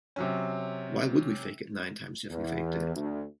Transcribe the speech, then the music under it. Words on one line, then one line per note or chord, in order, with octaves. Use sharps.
Why would we fake it nine times, if we faked it?
C3 F#3 C#4
E2
D2